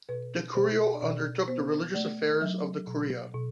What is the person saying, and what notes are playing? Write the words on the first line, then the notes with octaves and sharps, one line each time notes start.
The curio undertook the religious affairs of the curia.
B2 B4
B2 C5
B2 D5
B3 C5
A3 D5
F#3 E5
B2
B2